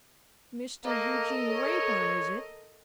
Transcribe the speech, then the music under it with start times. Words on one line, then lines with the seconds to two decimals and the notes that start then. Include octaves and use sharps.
'Mr Eugene Wrayburn, is it?
0.84 A#3 A4 A#4 D#5
1.49 C#5